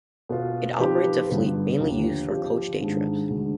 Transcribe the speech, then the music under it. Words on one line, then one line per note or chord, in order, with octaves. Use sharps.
It operates a fleet mainly used for coach day-trips.
B2 B3 F4
F3 C4 D#4 G4 B4
G2 D3 G3 B3
D#2 D3 F3
F3 C4 G4 C5
G#2 D#3 G#3 D4 G#4
D2 D3 G#3